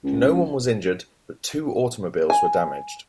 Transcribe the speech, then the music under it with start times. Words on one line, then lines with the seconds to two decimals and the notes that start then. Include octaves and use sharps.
No one was injured, but two automobiles were damaged.
0.04 C#2
2.30 G#5